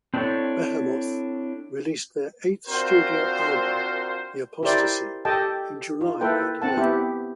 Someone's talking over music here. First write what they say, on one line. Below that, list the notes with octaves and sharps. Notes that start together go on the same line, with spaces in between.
Behemoth released their eighth studio album "The Apostasy" in July of that year.
C4 D4 E4 G4 A4 C#5
C4 D4 F4 F#4 A#4 C5
E4 G4 A#4 C5 D5
G4 A4 D#5 G5 A5
D#4 F4
A#3 E4 A4 B4 G5
C4 F#5 A5
B3 E4 G4